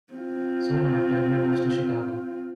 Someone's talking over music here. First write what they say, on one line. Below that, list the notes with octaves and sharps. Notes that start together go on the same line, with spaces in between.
Soon after, he moves to Chicago.
C4 F4